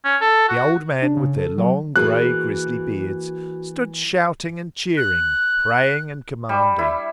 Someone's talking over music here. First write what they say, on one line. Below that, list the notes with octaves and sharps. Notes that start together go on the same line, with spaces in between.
The old men, with their long grey grisly beards, stood shouting and cheering, praying and commanding.
C#4
A4
F#4
D4
C#3
A4
F#3
E3 A#3 F#4 G#4 F#6
F#6
G3
E4